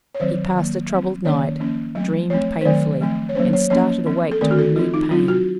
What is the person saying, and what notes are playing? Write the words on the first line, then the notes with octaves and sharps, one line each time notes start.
He passed a troubled night, dreamed painfully, and started awake to renewed pain.
C#5
D#3 F#3 C4 C5
D#3 F#3 A#3
F#3 C4
D#3 A#3 C#4 C#5
F3 A#3 C#4
F#3 A3 C4 D#5
F3 A3 C4 C#5
C5
D#3 F#3 A3 C4 A#4
F3 A3 C4
C#5
F#3 A#3 C#4 C5
C#5
F3 A#3 C#4 C#5
F3 C4
A4
D#3 A3 C4 A#4
F#4
A4
F3 C4 F4
D#4
F#3 C4 F4
F#4